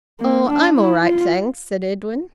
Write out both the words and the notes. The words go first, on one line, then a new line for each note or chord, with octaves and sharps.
"Oh! I'm all right, thanks," said Edwin.
A#3
D4
E4
F4